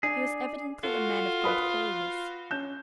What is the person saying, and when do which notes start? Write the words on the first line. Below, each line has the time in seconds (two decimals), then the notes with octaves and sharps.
He was evidently a man of great holiness.
0.03 D4 G#4
0.83 F4 F#4 A4
1.44 B4 B5 D#6
2.50 C#4 G6 E7